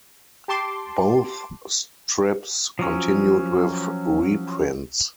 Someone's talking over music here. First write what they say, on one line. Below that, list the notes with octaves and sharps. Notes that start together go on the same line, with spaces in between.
Both strips continued with reprints.
G4 A5 C6 D6
F3 F#3 C#4